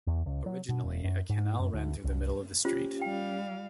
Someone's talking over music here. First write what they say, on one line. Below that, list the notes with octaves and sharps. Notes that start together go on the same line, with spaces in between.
Originally, a canal ran through the middle of the street.
E2
C#2
F#3
B2
E1
F#2
G#2
F#2
D2
C2
C#4 F4 G4 C5
G3 F5 G5